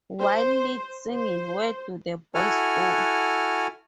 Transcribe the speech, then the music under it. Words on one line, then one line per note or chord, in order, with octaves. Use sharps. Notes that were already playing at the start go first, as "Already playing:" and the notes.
While lead single Where Do The Boys Go?
C5
C5
E4 F#4 A4 F#5 G#5 F6